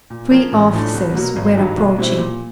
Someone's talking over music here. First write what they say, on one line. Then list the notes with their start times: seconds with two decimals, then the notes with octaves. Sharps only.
Three officers were approaching.
0.10 A#2
0.31 F3 A#3 C#4
0.52 A1
0.73 A2 F3 A3 D4
0.94 C2
1.14 B2 F#3 A#3
1.36 G#1
1.57 G2 D#3 F#3
1.78 B1
1.98 B2 G3 C4 E4
2.18 A#2